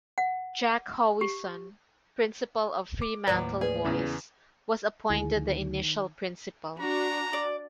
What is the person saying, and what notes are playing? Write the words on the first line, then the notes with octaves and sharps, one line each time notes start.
Jack Howieson, principal of Fremantle Boys', was appointed the initial principal.
F#5
G4
D6
D#2 A2 F3 F#3 B4 D5
G#4 B4 D5
E2 C#3 E3
D2 D#3 E4 G#4
D4 F#4 A#5
D5